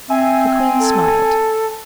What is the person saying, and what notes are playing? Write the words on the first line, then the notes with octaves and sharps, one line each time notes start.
The queen smiled.
C4 E5 G#5
A4